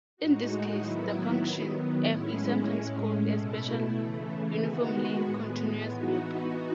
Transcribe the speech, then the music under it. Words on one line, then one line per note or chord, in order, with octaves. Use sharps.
In this case, the function "f" is sometimes called a "special uniformly continuous" map.
A2 G#3 D#4 F#4
D#3 F#3 B3 E4
D#3 F#3 B3
A2 G#3 C#4 E4
A2 G#3 C#4
B2 A3 E4
C#3 E3 A3
D#3 G#3 B3 F#4
A2 G#3 B3
E3 B3 D#4 F#4